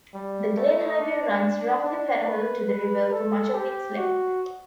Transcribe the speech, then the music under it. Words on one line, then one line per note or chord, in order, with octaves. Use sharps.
The Glenn Highway runs roughly parallel to the river for much of its length.
G3
A3
D4
D4
B4
B4
A4
G4
F#4